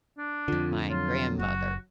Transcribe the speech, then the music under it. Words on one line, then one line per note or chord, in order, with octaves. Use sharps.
my grandmother
D4
F2 D3 F4
F#3 F4
F#1 F#4